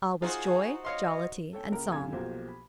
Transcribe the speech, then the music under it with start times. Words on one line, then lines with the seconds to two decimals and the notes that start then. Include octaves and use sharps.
All was joy, jollity, and song.
0.22 D#4 F4 F#4 G#4 C5
0.85 C#5 D#5 F5 C6
1.53 A4 C#5 G5
1.71 C#2 A#3 A#4
1.92 F#2 A2 C3 F5 G#5 G#6
2.13 B1 F3 A#3 F#4 G4 C5
2.48 B5